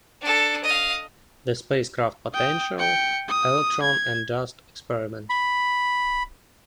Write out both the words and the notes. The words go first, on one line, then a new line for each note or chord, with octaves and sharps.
The Spacecraft Potential, Electron and Dust Experiment.
D4 A4
D#5 F5
G5 D#6
G5 C#7
D#6
G#6
B5